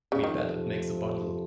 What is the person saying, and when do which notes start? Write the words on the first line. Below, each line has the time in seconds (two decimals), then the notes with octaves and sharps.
We bet it makes a bundle.
0.12 C#3
0.23 F2 C3 D#3 F3